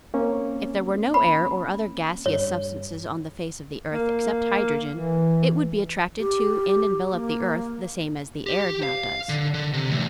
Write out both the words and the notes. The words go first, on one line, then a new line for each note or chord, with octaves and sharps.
If there were no air or other gaseous substances on the face of the earth except hydrogen, it would be attracted to and envelop the earth the same as the air now does.
A#3 C4 C#4
B5
G2 C#5
A#3
E3
G4
A#3
G4
F5
D3
D3
C3
E2 A2